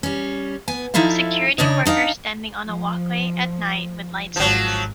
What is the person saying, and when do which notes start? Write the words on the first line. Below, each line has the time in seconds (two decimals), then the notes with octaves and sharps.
Security workers standing on a walkway at night with light sticks.
0.03 G3 C#4
0.68 B3 G#5
0.94 F3 D#4 E4 A4 E5 F5
1.58 C#3 D4 C#5 D#5
1.85 D4 D#4 F#4 F5 G5
2.66 F3
4.36 G#1 F3 F#3